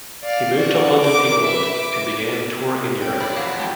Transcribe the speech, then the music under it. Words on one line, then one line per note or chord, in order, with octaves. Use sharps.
He moved to London, England, and began touring in Europe.
D5 F5
F#4 D5
A#4 D6
B4 E5
D6
G4 C#5 G5
C3 D5 B5
F2 E3 F#3 E4 F#4 F5
G#3 A3 F#4 G4 A4